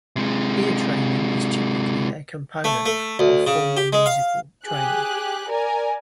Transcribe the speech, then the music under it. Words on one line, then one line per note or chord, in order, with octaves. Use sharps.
Ear training is typically a component of formal musical training.
C3 G#3
A3
A3
D2
C#3
G4
G#3
F5
G4 G#4 F#6
A#4 D5 G#5